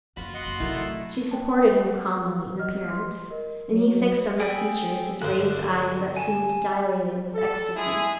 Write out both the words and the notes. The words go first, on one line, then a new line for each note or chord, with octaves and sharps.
She supported him calmly, in appearance; and he fixed on her features his raised eyes that seemed dilating with ecstasy.
F#1 C#3 F4 F#4 B5
D#5 F#5 C6
F#1
C3 F#3 E4 A4 A#4
A3
G5 A5
F#5
D#5 F6
C6
A#4 D#5
F#3
G#4 A4 G5 G#5 B5
D2 G2 C5 D5 F#6
G#5 A5
A4
G#3 E4 G#4